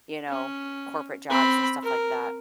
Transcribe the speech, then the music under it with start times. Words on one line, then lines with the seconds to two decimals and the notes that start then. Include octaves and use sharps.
you know, corporate jobs and stuff like that.
0.29 C#4
1.29 C4 B5
1.83 A#4